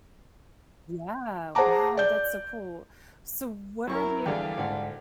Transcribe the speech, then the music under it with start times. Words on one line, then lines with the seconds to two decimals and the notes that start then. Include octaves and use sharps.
Yeah, wow, that's so cool. So what are the
1.55 G#4 C5 F#5 A5 A#5 D6
1.97 D5 G6
3.87 F#2 E4 A#4 C#6
4.26 E2 D3 G3 G#4 D5 F5 G5
4.58 D2 G#2 A4 F#5